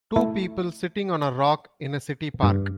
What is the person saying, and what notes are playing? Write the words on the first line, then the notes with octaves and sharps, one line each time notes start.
Two people sitting on a rock in a city park.
A3 E4
G2